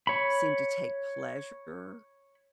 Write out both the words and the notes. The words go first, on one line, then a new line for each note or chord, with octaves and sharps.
seem to take pleasure
C#5 B5